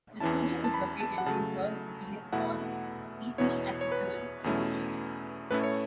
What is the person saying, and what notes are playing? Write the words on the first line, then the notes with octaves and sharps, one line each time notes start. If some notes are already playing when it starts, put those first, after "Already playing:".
The studio is located in Hugh Gillis Hall, easily accessible to majors.
E2 E3 C#4 E4 A5
A5
B5
A5
F#5
C#3 F#3 A3 A5
E2 B2 A3 E4 F#5
E2 B2 B3 E4 C#5
C#5
B4
E2 B2 A3 C#4 E4
A2 A3 C#4 E4 B4
C#5